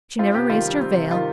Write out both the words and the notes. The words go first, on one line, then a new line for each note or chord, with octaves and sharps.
She never raised her veil.
C4 F4
C3 G4
D#3 F4
G3
C4
C3
D#3 F4